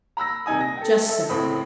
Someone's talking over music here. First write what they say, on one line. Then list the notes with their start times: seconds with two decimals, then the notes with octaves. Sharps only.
"Just so."
0.17 A#5 B5 E6 A#6
0.46 D#1 C3 D#4 G#5 D#6
0.61 A#6
0.77 A4 G5
1.08 A4 E5
1.29 C#2 A2 C4 B5 D#6